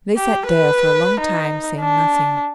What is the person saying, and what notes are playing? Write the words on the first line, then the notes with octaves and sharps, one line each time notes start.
They sat there for a long time, saying nothing.
G4
B4
D#4
D4